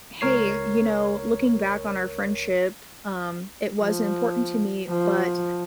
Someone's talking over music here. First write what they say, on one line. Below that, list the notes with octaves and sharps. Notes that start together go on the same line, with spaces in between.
"Hey, you know, looking back on our friendship, um, it was important to me but
C#2 A#4 C#5 C7
F3
F3